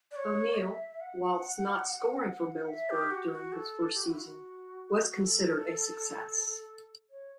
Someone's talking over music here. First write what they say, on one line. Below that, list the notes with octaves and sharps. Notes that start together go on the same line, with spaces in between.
O'Neil, whilst not scoring for Middlesbrough during his first season, was considered a success.
D5
C#5
E5
F#5
E5
G4
F#4
F#4
A4
G4
F#4
E4
F#4
A4
C#5